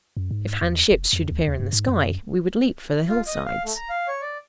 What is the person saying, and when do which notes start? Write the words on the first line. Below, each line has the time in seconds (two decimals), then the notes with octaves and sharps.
If Han ships should appear in the sky, we would leap for the hillsides.
0.17 F#2
0.31 G#2
0.61 E2
0.91 F1
1.13 F2
1.31 D2
1.48 D#2
1.60 G2
1.73 G#2
1.87 F#2
3.08 F4
3.27 D#5
3.46 F5
3.64 A3
3.76 A#5
3.89 F5
4.08 C#5
4.21 D5